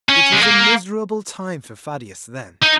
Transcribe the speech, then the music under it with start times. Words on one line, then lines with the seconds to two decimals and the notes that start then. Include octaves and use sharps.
It was a miserable time for Thaddeus then.
0.09 C#4
0.32 G#3
0.42 A#3
2.63 D#4